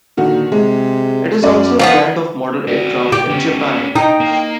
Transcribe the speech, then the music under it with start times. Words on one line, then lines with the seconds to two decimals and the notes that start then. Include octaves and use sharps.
It is also a brand of model aircraft in Japan.
0.17 A#2 D3 D#3 F#4
0.52 C3 G#3
1.42 F#2 C#4 D5
1.79 F3 A#3 B3 D#4
2.68 F#4 D5
3.12 G4
3.30 B3 C#4
3.96 D#4 G5
4.20 A#3